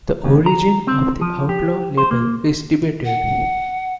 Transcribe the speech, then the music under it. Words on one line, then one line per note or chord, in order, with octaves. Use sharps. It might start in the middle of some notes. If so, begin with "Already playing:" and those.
The origin of the outlaw label is debated.
D#2
A#5
C4
F3
G4
C5
A#3
F#5